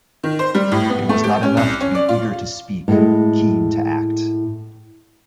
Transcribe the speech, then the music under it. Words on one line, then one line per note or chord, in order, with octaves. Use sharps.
It was not enough to be eager to speak, keen to act.
D#3
C5
G3
A2
B3
A3
G4
C#4
C2
C#4
D5
F4
A2 G#3